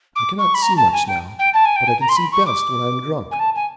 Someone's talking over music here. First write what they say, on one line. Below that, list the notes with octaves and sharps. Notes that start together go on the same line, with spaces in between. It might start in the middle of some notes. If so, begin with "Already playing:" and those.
I cannot see much now, but I can see best when I am drunk.
D6
C#6
B5
A#5
A5
G#5
G5
G5
A5
G#5
G5
G#5
A#5
C6
B5
C#6
D6
G#5
A5
G#5